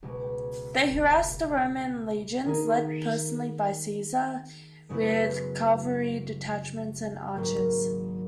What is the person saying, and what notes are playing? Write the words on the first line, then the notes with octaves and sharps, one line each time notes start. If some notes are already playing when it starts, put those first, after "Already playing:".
They harassed the Roman legions, led personally by Caesar, with cavalry detachments and archers.
C#2 B2 G#3
D#3 A#3 D#4 G#4
F#2 C#3 G#3 B3 E4
G#1 G#2 F#3 A#3